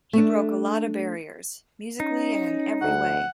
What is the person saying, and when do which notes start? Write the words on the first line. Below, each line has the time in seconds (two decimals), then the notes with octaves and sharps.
He broke a lot of barriers, musically and in every way.
0.13 A3 D4
2.00 C#4 D#4
2.82 D2 F#5